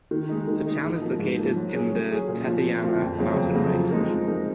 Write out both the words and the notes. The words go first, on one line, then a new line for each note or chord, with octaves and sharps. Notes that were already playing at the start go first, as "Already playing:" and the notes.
The town is located in the Tateyama Mountain Range.
D#3
G#3 D#4
D#3
G#3 D#4
G#2
F3 A#3
G#2
F3 A#3
F#3
C#4 G#4
F#3
C#4 G#4
A#2
F3 C4 F4
A#2
F3 C4 F4
F2
C#3 F#3 C4
F2
C#3 F#3 C4
F3
G#3 C4 D#4 A#4
F3
G#3 C4 D#4 A#4